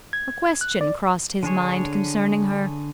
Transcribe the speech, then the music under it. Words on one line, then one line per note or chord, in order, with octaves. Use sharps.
A question crossed his mind concerning her.
G#6
F#6
D5
D3 D4 G#4 C#5